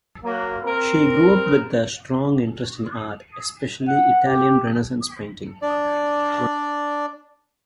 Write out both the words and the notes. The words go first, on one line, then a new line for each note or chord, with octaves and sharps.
She grew up with a strong interest in art, especially Italian Renaissance painting.
F#3 A#3
C4 A#4
F#5
G4
D4 D5